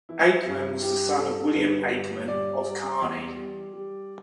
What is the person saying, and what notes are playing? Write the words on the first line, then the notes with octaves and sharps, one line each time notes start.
Aikman was the son of William Aikman, of Cairney.
E3 E4
G2
G3 G4
G3 A4
G1 B4
G2
G3 D5
G3
E2
G3
G3